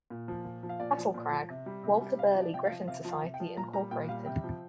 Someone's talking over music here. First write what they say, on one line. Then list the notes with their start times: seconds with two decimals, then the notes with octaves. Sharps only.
Castlecrag: Walter Burley Griffin Society Incorporated.
0.10 A#2
0.28 F3
0.45 A#2
0.63 F3
0.69 F5
0.80 A#2 D5
0.97 F3
1.14 A#2
1.31 F3
1.50 C3
1.66 G3
1.83 C3
2.01 G3
2.18 C3 F5
2.35 F3
2.41 D5
2.53 C3 G5
2.65 F5
2.70 F3
2.88 C3 F5
3.05 F3
3.11 F5
3.22 C3
3.34 G5
3.40 F3
3.57 A#2 A#5
3.73 G3 A#5
3.91 A#2 G5
4.08 G3 F5
4.26 C3 G5
4.44 F3